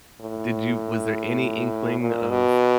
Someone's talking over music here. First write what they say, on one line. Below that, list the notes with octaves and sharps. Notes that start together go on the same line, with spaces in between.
did you was there any inkling of
A2
A#2
B2